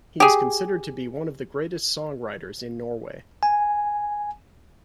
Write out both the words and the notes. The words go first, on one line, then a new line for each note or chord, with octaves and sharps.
He is considered to be one of the greatest songwriters in Norway.
G4 G#4
G#5